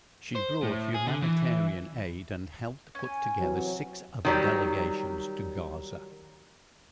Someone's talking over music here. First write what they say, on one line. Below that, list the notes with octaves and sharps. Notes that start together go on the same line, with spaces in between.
She brought humanitarian aid and helped put together six other delegations to Gaza.
C5
A2
G#4
D3
E3
C#4 G#5
C3 E3 F#3
D#3 F#3 G3